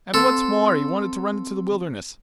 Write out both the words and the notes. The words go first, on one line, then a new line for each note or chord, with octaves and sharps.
And what's more, he wanted to run into the wilderness!
C4 A4 C6